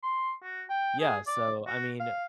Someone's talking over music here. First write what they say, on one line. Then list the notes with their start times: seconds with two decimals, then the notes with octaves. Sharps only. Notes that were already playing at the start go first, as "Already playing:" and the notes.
Yeah, so, I mean,
0.03 C6
0.43 F#4
0.69 G5
1.00 G#4
1.27 D5
1.67 F#4
1.99 F5